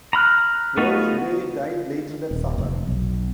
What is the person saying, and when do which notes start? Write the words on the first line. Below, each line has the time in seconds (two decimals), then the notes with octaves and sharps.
Rolf Bae died later that summer.
0.13 A#5 B5 F6 F#6
0.77 A3 B3 D#4 F4 F#4
2.31 D#1
2.58 F1
2.87 B1